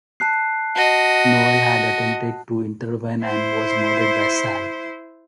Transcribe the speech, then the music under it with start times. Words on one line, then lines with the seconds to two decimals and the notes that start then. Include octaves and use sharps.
Noel had attempted to intervene and was murdered by Sal.
0.20 A5 F#6 C7
0.76 F#4 D#5 A5
3.23 E4 C5